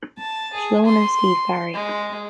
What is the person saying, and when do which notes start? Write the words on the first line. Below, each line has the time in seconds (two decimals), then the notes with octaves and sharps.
Sloan and Steve Barri.
0.19 A5
0.54 G#4
0.85 C6
1.74 G#3